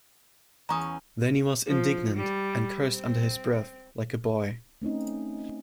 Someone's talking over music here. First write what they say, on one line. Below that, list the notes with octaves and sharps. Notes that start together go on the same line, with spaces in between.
Then he was indignant, and cursed under his breath, like a boy.
E2 C#4 A#5 C#6 D#6
F3
G3
C4
A3 C4 C#4 D#4